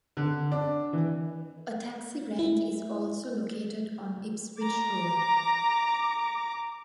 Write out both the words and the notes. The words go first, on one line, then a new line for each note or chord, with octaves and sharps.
A taxi rank is also located on Ipswich Road.
D3
D4
E3
E4
A#5 D6